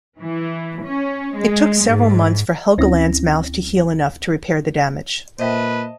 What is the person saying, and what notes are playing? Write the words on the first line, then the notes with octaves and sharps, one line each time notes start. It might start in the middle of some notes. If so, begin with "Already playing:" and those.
It took several months for Helgeland's mouth to heal enough to repair the damage.
E3
C#4
G#3
G#2
D2 C4 C#4 E4 A#6
A#2 B4 C5 D#5 E5 G5 A5